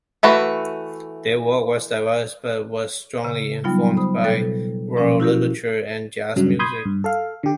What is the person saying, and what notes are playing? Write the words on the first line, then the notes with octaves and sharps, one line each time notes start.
Their work was diverse but was strongly informed by world literature and jazz music.
E3 A3 F#4 B4
C#3
F#3 G3 B3 D#4 F4
C5 B5 D#6
B2 A4 G5 A6
B2 F3 C#4 F#5
E4 F#4 G4 A#4
G2 C#3 F#3
B5 C6 D#6 G6 G#6
G2
A4 F5
D3 G4